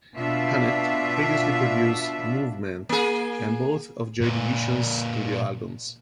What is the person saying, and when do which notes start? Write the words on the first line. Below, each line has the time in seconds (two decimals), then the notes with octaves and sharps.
Hannett previously produced "Movement" and both of Joy Division's studio albums.
0.16 B2 D4 F4 E5
2.89 A#3 G#4
4.21 A#2 B4